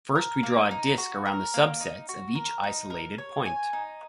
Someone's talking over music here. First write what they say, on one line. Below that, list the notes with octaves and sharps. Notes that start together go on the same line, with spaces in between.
First, we draw a disc around the subsets of each isolated point.
A#4
A#3
D#4
F#4
A#4
A#3
D#4
F#4
A#4
D#4
A#4
C#5
G#5
D#4